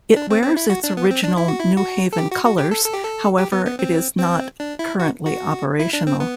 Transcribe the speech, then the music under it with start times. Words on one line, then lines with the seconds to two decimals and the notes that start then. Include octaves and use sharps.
It wears its original New Haven colors, however it is not currently operational.
0.16 D4
0.30 C4
0.43 C4
0.56 E4
0.70 F#4
0.84 D4
0.97 B3
1.11 C4
1.24 D4
1.37 E4
1.48 F#4
1.60 E4
1.77 F#4
2.13 A4
2.18 G4
2.31 F#4
2.45 F#4
2.58 G4
2.71 A4
2.85 A4
2.94 G4
3.04 A4
3.38 G4
3.52 B3
3.66 B3
3.79 C4
4.19 C4
4.60 D4
4.79 E4
5.00 F#4
5.26 F#4
5.80 E4
5.93 D4
6.07 C4
6.20 B3